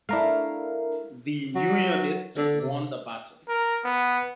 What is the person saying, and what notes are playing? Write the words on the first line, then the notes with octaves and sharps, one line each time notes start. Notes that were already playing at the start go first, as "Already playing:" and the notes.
The unionists won the battle.
A3 D4 E4 A#4 F5
F#3
D3
C3
A#4
B3